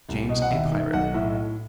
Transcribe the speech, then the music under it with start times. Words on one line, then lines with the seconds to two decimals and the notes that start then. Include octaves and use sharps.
James, a pirate.
0.09 C2
0.29 B2
0.42 F#5
0.50 D#2 E5
0.72 D#3 E5
0.93 B1 F#5
1.14 A2 E5